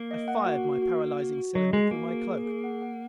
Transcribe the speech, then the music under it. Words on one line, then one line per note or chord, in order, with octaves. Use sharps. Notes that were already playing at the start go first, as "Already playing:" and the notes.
I fired my paralyzing cylinder through my cloak.
Already playing: A#3
D#5
F#5
F#4
F#4
F#4
F#4
F#4
F#4
F#3 D#5
G#3 G#5
A#3 F#4
G#4
G#4
G#4
F#5
F#5